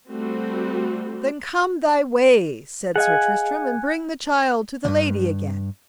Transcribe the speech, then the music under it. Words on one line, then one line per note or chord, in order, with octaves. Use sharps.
Then come thy way, said Sir Tristram, and bring the child to the lady again.
G3 A3 C4 F#4
G#4 D#5 F5 F#5 G#5
D2 G2